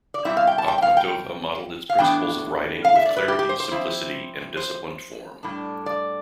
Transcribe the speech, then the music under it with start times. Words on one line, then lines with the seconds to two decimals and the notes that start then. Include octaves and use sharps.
Akhmatova modeled its principles of writing with clarity, simplicity, and disciplined form.
0.14 D5
0.25 B2 G3 C4 E4 E5
0.37 F5
0.47 G5
0.58 A5
0.68 G5
0.78 G5
0.82 F5
0.97 G5
1.89 F5
1.98 A2 E3 B3 D4 G5
2.85 F5
2.95 E5
3.05 D5
3.16 B4
3.28 G4
3.39 G4
3.49 C5
3.60 C5
3.71 F3 C4 E4
4.57 C5
5.43 A2 G3 D4
5.86 D5